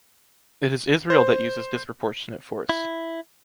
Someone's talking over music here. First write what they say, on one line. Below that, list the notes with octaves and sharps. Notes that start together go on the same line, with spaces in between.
It is Israel that uses disproportionate force.
C5
E4